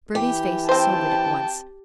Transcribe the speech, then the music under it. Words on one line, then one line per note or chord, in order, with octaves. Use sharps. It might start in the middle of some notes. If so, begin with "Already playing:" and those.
Bertie's face sobered at once.
E3 G4
C4 C5 G5 A5